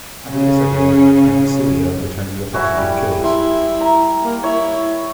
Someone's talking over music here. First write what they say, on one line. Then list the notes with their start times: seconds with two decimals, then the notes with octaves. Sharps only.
Under this idea, Penthesilea returns the affections of Achilles.
0.22 C#3 C#4
2.53 E4 F#4 G#5
2.77 G3
3.24 E4 C6
3.81 A#5
4.24 A#3
4.43 E4 C#5